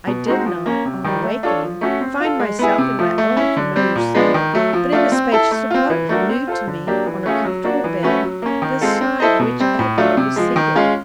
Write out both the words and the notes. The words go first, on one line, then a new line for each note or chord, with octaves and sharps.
I did not, on awakening, find myself in my own familiar cell, but in a spacious apartment new to me, on a comfortable bed, beside which Edra was seated.
B2
G#3 C4 D#4 F#4
F3
A#3 C#4
C3
D#3 G3
A3
D4 F4 A4 C#5
F3
A3 C#4 F#4
C4
F4 A4
G#3
B3 E4 G#4
C3
F3 A3
A3
C#4 E4
D3
G3 C4
A#2
F3 G#3 B3 D4
D#3
F#3 A3
F3
A3 D4 F4
C4
E4 A4
A3
C4 F4
E3
A3 D4 F#4 A#4
C4
F4 A4 C5
D3
F#3 A#3 D4 G4
E3
A3 C#4 F4 G#4
F#3
A#3 D4 F#4
E3
A3 C#4 F#4 B4
F#3
A#3 C#4
D#3
G#3 C4 F4 A4
C4
E4 A4 C5 D#5
B2
G3 C4
A2
F#3 A3 D4 F4
C3
F3 G#3
D#3
G#3 C#4 F4